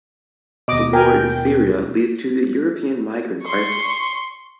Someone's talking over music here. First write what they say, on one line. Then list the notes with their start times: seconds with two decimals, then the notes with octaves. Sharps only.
The war in Syria leads to the European migrant crisis.
0.68 D#2 B2 D#5 D6
0.93 A#4 G5 G#5
3.44 C6 C#6